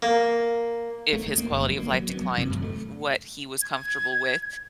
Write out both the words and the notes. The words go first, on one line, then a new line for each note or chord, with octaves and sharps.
if his quality of life declined, w what he was comfortable with.
A#3
A3
D2
A#3
G1
F#3
A#3
F#3
B3
F#3
C3
F#2
A3
G#6